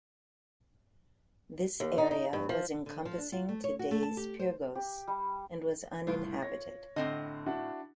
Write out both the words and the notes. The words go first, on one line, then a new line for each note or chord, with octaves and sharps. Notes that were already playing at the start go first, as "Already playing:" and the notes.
This area was encompassing today's Pyrgos and was uninhabited.
D#2
D#4
D#4
G2
F3
D3
F3
D4
F4
A3
C#5
F#4
A3
A5
G4
C5
G4
G3
C2 A2 F4
C#5 A#6
A2 D3 C4 D#5
D4 E4 F#4